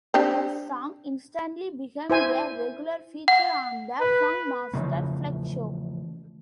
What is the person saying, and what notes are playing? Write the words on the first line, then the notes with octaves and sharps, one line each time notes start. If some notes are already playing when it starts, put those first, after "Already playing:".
The song instantly became a regular feature on the Funkmaster Flex show.
C4 D4 G4
E4 C5 G#5
F#5
B4
C#3 E3 F3 A3